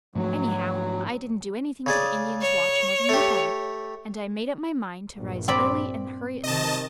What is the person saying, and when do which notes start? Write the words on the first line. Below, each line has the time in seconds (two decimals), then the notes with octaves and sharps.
Anyhow I didn't do anything to the Indian's watch more than look at it, and I made up my mind to rise early and hurry it through.
0.15 G#2 F3 F#3 A3
1.86 C#3 G#4 D5
2.41 C#5
3.09 A3 G4
5.15 A#1 G2
5.48 C4 D5 B5
6.44 C3 D#3 D#5 A5